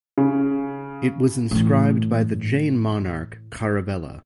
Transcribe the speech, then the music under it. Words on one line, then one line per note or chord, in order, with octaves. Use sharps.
It was inscribed by the Jain monarch Kharavela.
C#3
A2 E3